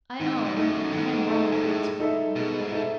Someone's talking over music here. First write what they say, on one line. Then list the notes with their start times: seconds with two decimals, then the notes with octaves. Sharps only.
'I own, I am wrong about schooling.
0.20 G#2 D#3
0.45 G#2
0.56 G#2 A3 D#4 A4
0.68 F#2
0.92 G#2 D#3
1.28 A3 D#4 A4
1.52 G#2
1.64 A2 G#3
2.00 D#4 A4 E5
2.36 B2 G#3
2.60 G#2
2.72 D#4 A4 E5